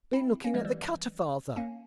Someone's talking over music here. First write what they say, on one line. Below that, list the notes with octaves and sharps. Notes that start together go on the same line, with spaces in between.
"Been looking at the cutter, father?"
C4 E4
A#3 C#4
F3 G#3
E3 G3
A#3 C#4